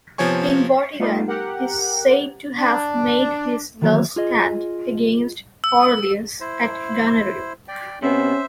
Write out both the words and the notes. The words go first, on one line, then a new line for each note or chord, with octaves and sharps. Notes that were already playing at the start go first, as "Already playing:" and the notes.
King Vortigern is said to have made his last stand against Aurelius at Ganarew.
C3 F3 B3 C#5 G#5 C#6
G3 A3 B3 D#4 F4
G4 A#4 F#5
D4
D#3 E3 F#3 A3 A#3 C#5
F4 G#4 D#5
E6
E4 C5
D5 G5
C3 B3 C#4 C5 E5